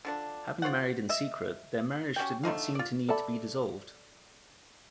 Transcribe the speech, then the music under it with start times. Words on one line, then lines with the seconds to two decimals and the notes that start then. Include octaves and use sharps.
Having married in secret, their marriage did not seem to need to be dissolved.
0.05 D3 F3 D4
0.62 F4 C5 C#5 F#5
1.09 D#5 E5
2.16 C#4 F#4 G4 G5
2.43 D3 A3 D#4 F5
2.75 F4 D5
3.09 A4 D5 E5 A5 B5